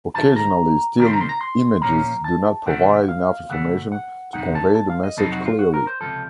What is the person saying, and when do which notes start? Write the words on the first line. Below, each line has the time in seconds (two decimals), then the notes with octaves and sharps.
Occasionally still images do not provide enough information to convey the message clearly.
0.14 C#2 C3 D#3 A5
0.36 A#5
0.98 C#2 C3 D#3 A3 C4 A#5
1.07 C6
1.13 A#5
1.21 C6
1.29 A#5
1.41 C6
1.82 A#2 F3 A#3 C#4 A#5
2.24 A5
2.66 C3 D#3 A3 C4 F#5
3.09 F5
3.49 F2 C#3 A3 F#5
3.92 F#5
4.33 F2 C3 F3 A#3 D#4 F#5
4.55 A5
4.75 A5
4.90 F5
5.04 D#5
5.17 F2 C3 F#3 C4 D#4 A4
5.32 F#4
5.45 F4
5.59 F#4
5.74 A#4
5.87 C5
6.01 C#2 C3 F3 A4